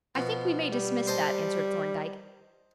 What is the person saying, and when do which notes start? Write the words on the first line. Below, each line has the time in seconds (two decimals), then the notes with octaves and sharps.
"I think we may dismiss that," answered Thorndyke.
0.15 B2 F3
0.71 G3
1.07 C5 D#5 A5